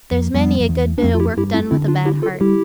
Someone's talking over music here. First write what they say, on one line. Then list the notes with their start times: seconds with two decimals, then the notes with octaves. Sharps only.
There's many a good bit o' work done with a bad heart.
0.11 F2
0.34 F2 G3 B3
0.60 F2
0.69 E2
0.98 D4
1.03 F2 A3 C4
1.14 F4
1.20 E4 G4
1.37 G2 E4 G4
1.54 C4 E4
1.71 D3 C4 E4
1.88 D4 F4
2.05 E4 G4
2.22 F4 A4
2.41 G3 E4 G4